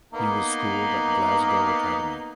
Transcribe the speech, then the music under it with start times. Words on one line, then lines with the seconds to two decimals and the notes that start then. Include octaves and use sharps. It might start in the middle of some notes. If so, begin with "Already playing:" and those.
He was schooled at Glasgow Academy.
0.13 A#3 B3 D#4